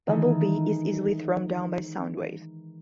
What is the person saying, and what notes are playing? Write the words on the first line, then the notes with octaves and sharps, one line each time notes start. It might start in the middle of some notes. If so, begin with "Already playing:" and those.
Bumblebee is easily thrown down by Soundwave.
D#3 E3 G#3 D#4 A4